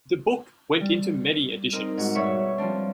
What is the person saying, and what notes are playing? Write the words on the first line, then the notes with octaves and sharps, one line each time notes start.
The book went into many editions.
G3
C4 D#4 A#4
G#2 F#4
B2 G3 B4 C#5 E5 C#6
F3 G3 C4 D4